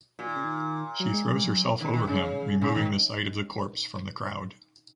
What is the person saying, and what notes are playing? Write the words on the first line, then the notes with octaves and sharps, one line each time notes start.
She throws herself over him, removing the sight of the corpse from the crowd.
A#2 F#3
D#3
C#3
D#3
F#3
G#3
F#3
G#3
F#3
D#3
D#3
C#3
A#2 C#3
A#2 D#3